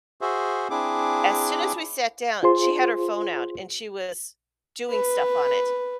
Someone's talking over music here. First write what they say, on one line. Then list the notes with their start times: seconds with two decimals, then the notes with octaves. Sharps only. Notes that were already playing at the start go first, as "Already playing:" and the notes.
as soon as we sat down, she had her phone out and she was doing stuff on it.
0.21 F#4 G#4 C5 E5
0.70 C4 D4 E4 G#4 D6
2.43 F4 G#4 C5 C6
4.90 B4